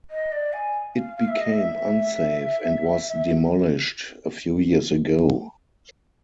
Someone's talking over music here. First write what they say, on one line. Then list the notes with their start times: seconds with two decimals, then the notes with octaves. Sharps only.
It became unsafe and was demolished a few years ago.
0.10 D#5
0.32 D5
0.52 G#5
0.95 F5
1.16 F5
1.28 E5
1.40 D#5
1.52 E5
3.07 E5